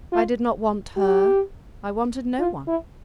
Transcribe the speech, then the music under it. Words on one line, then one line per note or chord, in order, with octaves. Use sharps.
I did not want her; I wanted no one.
F4
G4
F4
E4